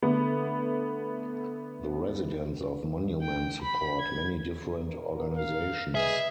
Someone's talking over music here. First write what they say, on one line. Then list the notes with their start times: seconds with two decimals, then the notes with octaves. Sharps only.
The residents of Monument support many different organizations.
0.02 D3 A3 B3
3.22 G5
3.62 B5
3.99 G#6
4.89 A#2 A#4
5.36 F5
5.95 G#4 B4 D#5 E5